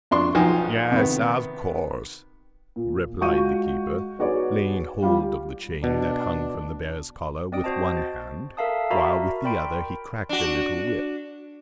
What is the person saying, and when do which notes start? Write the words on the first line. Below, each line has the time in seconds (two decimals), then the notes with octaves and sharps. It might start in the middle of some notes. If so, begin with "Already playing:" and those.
"Yes, of course," replied the Keeper, laying hold of the chain, that hung from the Bear's collar, with one hand, while with the other he cracked a little whip.
0.11 F2 D4 C6 C#6
0.35 B1 F3 D#4 G5 G#5
0.91 C3 D#3 B3
2.76 A#2
3.21 G#3 F4 F#4 C#6 G6 D#7
4.19 B3 D#4 F#4 G#4 C#5 D5
5.02 G3 F4 G4
5.84 B2 D4
7.52 C4 D5 D#5 D#6 D7
7.64 F#4 C5 D#5 A5
7.97 A6
8.57 A4 A#4 E5 F5 A5 D#6
8.90 F#4 A#4 D5 E5 A#5 B5
9.44 A#4 D5 G5 B5 C6 D7
10.29 D4 F#4